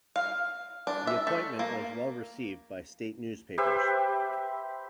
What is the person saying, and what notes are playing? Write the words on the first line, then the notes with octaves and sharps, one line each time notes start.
The appointment was well received by state newspapers.
F5
D4
E5
A3
A#3
G4 B4 C5 E5